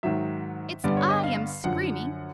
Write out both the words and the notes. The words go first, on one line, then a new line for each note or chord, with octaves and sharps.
It's I am screaming.
G#2 D#3 F#3 E5
G2 D3 G3 B3 D5
C#5
D#5
F5
F#2 D3 F3 F#5